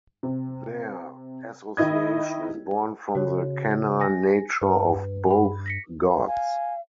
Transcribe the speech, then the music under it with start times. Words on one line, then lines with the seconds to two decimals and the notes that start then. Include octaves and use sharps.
Their association is born from the canine nature of both gods.
0.23 C3
1.77 D#3 E4 D#5 G#6
3.15 C#3 F#4 C#5
4.00 G#5 A#6
4.61 G2 B4
5.30 B5
5.66 A#6 B6 C#7
6.27 F5 G#5